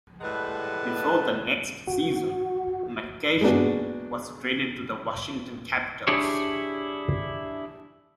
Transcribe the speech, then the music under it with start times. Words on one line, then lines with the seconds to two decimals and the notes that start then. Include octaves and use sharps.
Before the next season, McKechnie was traded to the Washington Capitals.
0.21 A2 G3 G#3 B4 F#5 A5
1.87 F#4
3.41 G#3 A#3 B3 D4 F#4
6.07 D4 E4 G4 G#4 C#5